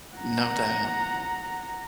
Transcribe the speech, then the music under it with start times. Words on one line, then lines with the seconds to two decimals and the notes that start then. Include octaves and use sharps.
No doubt.
0.16 F#5 A#5